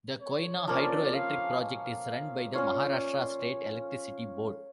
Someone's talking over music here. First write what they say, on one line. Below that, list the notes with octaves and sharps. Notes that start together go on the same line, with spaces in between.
The Koyna hydro-electric project is run by the Maharashtra State Electricity Board.
C#5
F3 A#3 C#4 D5
F5
F5
C#4 F4 C#5 D5